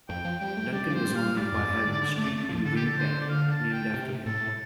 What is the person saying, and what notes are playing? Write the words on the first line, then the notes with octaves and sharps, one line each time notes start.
Duncan was honored by having a street in Winnipeg named after him.
F2 G5
F3
G3 G5
A3
G3 D5
F3 C5
G3
F5
G3 D5
F2
G2
D3
D3
A3
A3
F3
D3 A4
G4
A4
C5
D5
F5
A5
G5
C3
A2 A4